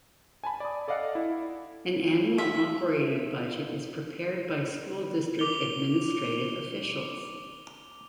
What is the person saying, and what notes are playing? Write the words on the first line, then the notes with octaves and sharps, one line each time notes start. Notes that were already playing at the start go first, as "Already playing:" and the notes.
An annual operating budget is prepared by school district administrative officials.
G#5 A5 B5
D5 D#6
A4 D5 D#5 F5 F#5
E4
F4 E5 F5
D6 F7 G7